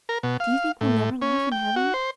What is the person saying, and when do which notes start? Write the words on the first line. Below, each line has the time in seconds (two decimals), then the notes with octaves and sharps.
"Do you think we'll never laugh in heaven?"
0.09 A#4
0.23 B2
0.40 F5
0.81 A2
1.22 C#4
1.52 G5
1.76 F#4
1.94 C5